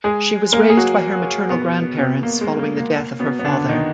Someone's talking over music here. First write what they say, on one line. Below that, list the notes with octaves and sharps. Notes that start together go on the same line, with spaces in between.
She was raised by her maternal grandparents following the death of her father.
G#3 G#4
A#3 A#4
G#4
F#3 F#4
B2 B3
B2 B3
A#3
G#3
A#3
A#3
A#3
B2 B3
B3
D3 D4
D#3 D#4